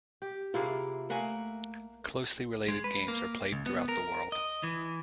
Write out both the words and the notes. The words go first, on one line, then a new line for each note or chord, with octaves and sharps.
Closely related games are played throughout the world.
G4
C3 A#3 E4 F4 G#4
A3 A#3 F#5 G#5
G#3
B4
A#3
C#2
B3
A#4
D#5
E3